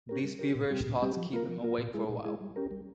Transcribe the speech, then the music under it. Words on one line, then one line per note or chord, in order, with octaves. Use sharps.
These feverish thoughts keep him awake for a while.
C#4 G4 A#4
G3
C#4 G4 A#4
A#2
G3 C4 G4
A#2
G3 C4 G4
F3
A#3 F4 A#4
F3
A#3 F4 A#4
A#2
G#3 E4 G#4
A#2
G#3 E4 G#4
G3
C#4 G4 A#4
G3